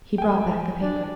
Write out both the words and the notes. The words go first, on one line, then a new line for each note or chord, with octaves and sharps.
He brought back the paper.
G5 G#5
D4 D5